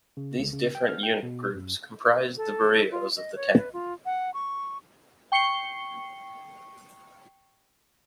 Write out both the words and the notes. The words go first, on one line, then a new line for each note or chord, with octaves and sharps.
These different unit groups comprised the barrios of the town.
C#3
C#2
C#3
G5
F6
G5
B2
F#2
A4
F4
D#5
C#5
B4
F4
F#5
C#6
G5 C#6 C7 C#7 G7